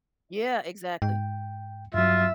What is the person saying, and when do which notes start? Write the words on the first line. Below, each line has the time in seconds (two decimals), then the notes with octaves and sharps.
Yeah, exactly.
1.02 G#2 G5
1.94 G2 F#3 F4 E5